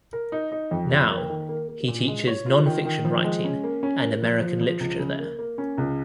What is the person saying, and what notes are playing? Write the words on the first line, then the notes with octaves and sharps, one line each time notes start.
Now, he teaches nonfiction writing and American literature there.
A#4
D#4
D#4
F2
F2
A#3
D#3
A#3
A#3
A#2
G#3
C#5
F4
D#3
D#3
F3
G#3
C#4
A#3
C#4
A#3
F3
F3
F3
C#2
C#3
A#3
A#3
C#4
C#2